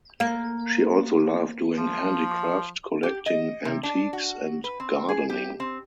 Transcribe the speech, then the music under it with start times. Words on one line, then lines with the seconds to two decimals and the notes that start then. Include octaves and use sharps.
She also loved doing handicraft, collecting antiques and gardening.
0.20 A#3
1.77 F3
3.03 G4
3.26 D#5
3.65 C3
3.83 D4
4.13 F#4
4.64 B4
4.80 C4
5.09 G#4
5.30 G4
5.60 C4